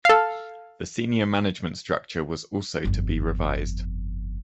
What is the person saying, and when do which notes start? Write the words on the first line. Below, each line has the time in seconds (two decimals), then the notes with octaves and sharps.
The senior management structure was also to be revised.
0.05 A4 F5
2.85 G1 F2